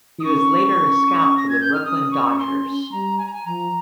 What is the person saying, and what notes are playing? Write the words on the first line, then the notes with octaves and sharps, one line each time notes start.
He was later a scout for the Brooklyn Dodgers.
D#6
C#4 C#6
C#4
A#6
G#6
G6
F6
C#4 D#6
C#6
C#6
C6
G3 A#5
G#5
A#5
G#5
F3 A#5